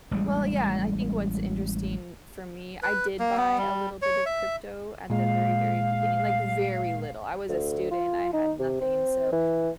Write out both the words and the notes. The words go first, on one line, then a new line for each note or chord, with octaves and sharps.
Well, yeah, and I think what's interesting, for me, I did buy a little bit of crypto at the very, very beginning like, very little. I was a student, I had nothing, so,
A1 G3 G#3
B4
A#3
B3
G3
C#5
E5
A#2 G#3 F5
D2
F4
D#4
C3
C4
E3